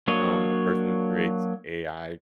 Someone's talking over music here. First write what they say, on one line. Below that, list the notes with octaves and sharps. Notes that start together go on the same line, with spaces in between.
um, a person who creates AI
F#3 A#3 D4 C#5 D#5